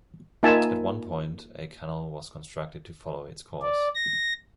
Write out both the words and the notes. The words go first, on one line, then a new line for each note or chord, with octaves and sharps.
At one point a canal was constructed to follow its course.
A#3 D#4 F4 E5 G#5 A5
D5
A#6